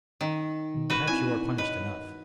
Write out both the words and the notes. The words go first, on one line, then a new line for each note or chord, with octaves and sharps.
Perhaps you are punished enough.
D#3
B2 D#3
F#4 B4 B5 C#6 G6
C4 E4 D5 G#5
B4 C#5 D#5